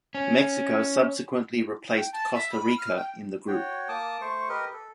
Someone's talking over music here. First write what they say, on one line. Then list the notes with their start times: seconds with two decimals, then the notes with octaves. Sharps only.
Mexico subsequently replaced Costa Rica in the group.
0.15 C#4
1.96 G5
2.12 A5
2.34 E5
2.51 B5
2.78 F6
2.97 G5
3.48 F#4 C#5 G5
3.89 A#3 A5 D6 D#6
4.21 A3 C5 C#6
4.49 G4 A#4 B4 D#5
4.73 A4